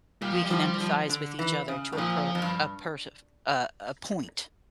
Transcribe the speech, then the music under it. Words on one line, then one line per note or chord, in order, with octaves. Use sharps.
we can empathize with each other to a per a persa uh, a point,
A#2 G3
F3
G3
F3
F3
D3
E3
C#3
A2
A#2 F3
F2
G2